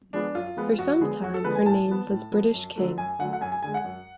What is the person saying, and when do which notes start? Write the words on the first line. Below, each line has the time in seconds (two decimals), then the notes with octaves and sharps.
For some time her name was "British King".
0.13 F3 G#3 B3 D4
0.35 F#2 F4
0.57 F3 G#3 B3
0.79 F2 F#4
1.00 D3 F3 G#3 B3 G#4
1.23 F2 F#4
1.34 A4
1.44 D3 F3 G#3 B3 B4
1.55 G#5
1.66 A2 A5
1.88 F3 B3
2.10 A2
2.32 F3 B3
2.54 F#2
2.76 D3 F#3 A3
2.98 F#2 G#5
3.19 D3 F#3 A3 F#5
3.33 F#5
3.41 F#2 G#5
3.52 G#5
3.63 D3 G#3 G#5
3.74 F#5
3.84 F#2